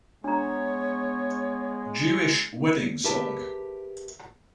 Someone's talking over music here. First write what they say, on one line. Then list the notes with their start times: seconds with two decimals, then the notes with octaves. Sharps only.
Jewish Wedding Song.
0.24 G#3 B3 D4 C#5 A#5
3.04 G4 G#4 A#4 B4 E5 A5